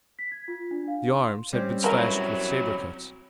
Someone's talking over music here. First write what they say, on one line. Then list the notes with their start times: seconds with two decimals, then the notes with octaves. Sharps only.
The arms had been slashed with sabre cuts.
0.19 B6
0.32 G#6
0.48 F4
0.71 D4
0.88 F5
1.11 C6
1.53 G3 C4 C#4
1.84 F#3 E4 A#4 B4